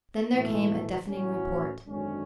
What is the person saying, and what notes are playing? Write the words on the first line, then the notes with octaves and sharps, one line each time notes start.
Then there came a deafening report.
B1 A2 E3 A3
A1 A2 F#3 A3 C#4
G#1 F#2 D3 G#3 C#4